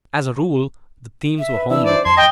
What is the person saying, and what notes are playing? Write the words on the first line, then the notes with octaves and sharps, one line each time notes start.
As a rule the themes were homely.
E5
B4
E3 D4 E4 E6
C5 D5
F2 A5 C6 G#6
D#5 G5